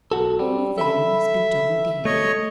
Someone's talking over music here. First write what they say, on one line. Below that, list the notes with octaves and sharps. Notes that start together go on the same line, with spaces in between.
"Who, then, has been talking to you?"
B1 F#4 A4
G3
A4 E5 B5
A3 C#5 D#5 C#6